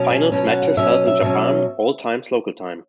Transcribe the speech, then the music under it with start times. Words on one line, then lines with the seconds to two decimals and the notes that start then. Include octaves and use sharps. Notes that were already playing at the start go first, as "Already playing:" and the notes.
Finals matches held in Japan, all times local time.
Already playing: B2 F#3 C#4
0.10 G#5
0.32 B2 F#3 C#4
0.47 F#5
0.62 F#5
0.77 B2 F#3 C#4 E5
0.91 D#5
1.07 E5
1.21 B2 F#3 C#4 E5